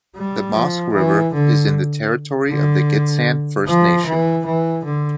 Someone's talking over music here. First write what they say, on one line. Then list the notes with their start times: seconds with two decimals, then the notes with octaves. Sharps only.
The Mosque River is in the territory of the Gitxsan First Nation.
0.16 G3
0.55 F3
0.94 E3
1.34 D3
2.50 D3
3.67 F3
4.06 E3
4.46 E3
4.85 D3